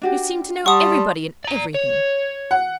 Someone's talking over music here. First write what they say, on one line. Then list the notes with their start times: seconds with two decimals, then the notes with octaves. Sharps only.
You seem to know everybody, and everything.
0.02 D4 F#4 G4
0.66 G3 D5 F#5 A5 C6 C#6 D#6
1.44 D5 A#5
1.75 C#5
2.51 F#5